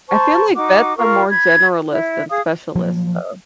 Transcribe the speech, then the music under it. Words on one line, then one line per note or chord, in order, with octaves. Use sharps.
I feel like vets are more generalist than specialist though.
C5 A5 A#5 C#6
D#4 F#4 D6
F4 A#4 C#6
B5 G#6
E4
G#4 F5 D#6
F3 F#3 A#3